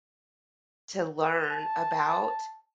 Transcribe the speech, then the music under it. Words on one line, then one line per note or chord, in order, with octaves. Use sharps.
to learn about
A5